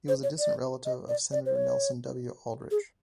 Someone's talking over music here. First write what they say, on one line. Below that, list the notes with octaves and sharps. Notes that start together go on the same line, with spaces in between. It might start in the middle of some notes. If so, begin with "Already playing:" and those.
He was a distant relative of Senator Nelson W. Aldrich.
C5
C#5
D5
D#5
D5
D5
C5
C#5
G#4